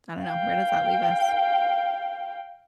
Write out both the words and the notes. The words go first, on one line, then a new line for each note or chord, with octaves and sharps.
I don't know, where does that leave us?
F5 G5